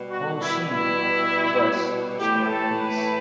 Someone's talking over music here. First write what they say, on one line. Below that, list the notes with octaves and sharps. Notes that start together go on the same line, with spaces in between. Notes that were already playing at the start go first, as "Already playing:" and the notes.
Houshin, thus restoring peace.
Already playing: B2 G3
F#4
E4
E4
A2 E3 A3 G4
A4
B4